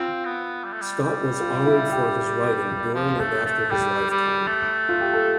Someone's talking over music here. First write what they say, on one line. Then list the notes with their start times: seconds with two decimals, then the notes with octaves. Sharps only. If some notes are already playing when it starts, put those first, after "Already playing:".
Scott was honoured for his writing during and after his lifetime.
Already playing: C4 F4
0.25 B3
0.64 G3
0.73 A3
0.82 G3
1.03 G3
1.41 F4
1.67 E4
1.92 G4
2.95 F3
3.20 A3
3.45 A3
3.71 G3 G4
4.10 G3
4.48 A3
4.89 F4
5.01 G4
5.13 A4